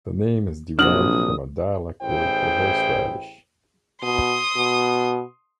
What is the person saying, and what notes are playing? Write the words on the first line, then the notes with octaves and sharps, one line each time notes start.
The name is derived from a dialect word for horseradish.
A#1 C3 F#3 D4 D#6 F6 F#7
A1 E4 G#4 C5 G5
B2 C6 D#6
B2